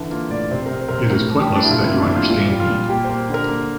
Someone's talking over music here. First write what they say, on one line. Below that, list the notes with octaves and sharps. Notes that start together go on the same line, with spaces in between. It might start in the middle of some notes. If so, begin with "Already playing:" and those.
It is pointless that you understand me.
Already playing: D3 E3 D4
A#3 F4
A2 D5
C3 C5
C3 A#4
C5
C3 A#4
C5
A2 A#4
F3
G4
A2
D4
E4
C3 F4
E4
A#3
D4
A#3
F4
A#2 F4
G3
F4
A#2
A#3 G4
A#3 C5
D3 A#4
A#3